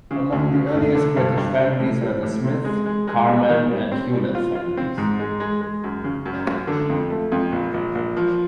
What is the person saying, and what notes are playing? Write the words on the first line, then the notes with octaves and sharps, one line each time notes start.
Among the earliest British families were the Smith, Carman and Hewlett families.
C#3
D2
C#3
A3
D3
G2
G2
G3
A2
G3
A2
C3
G#3
G#3
G#3
G3
D#3
G3
C4
G3
F4
F4
C4
G#2
G#3
G#3
G#3
F#2
C#3
F#2
F#2
D3
F2
A3
F2
A#1
A#1
A#1
F3